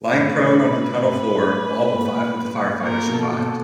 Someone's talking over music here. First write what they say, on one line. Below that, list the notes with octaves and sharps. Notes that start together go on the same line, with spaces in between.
Lying prone on the tunnel floor, all but five of the firefighters survived.
A2 B4
A2
A#2
A#2 A#4
B2
A4
B2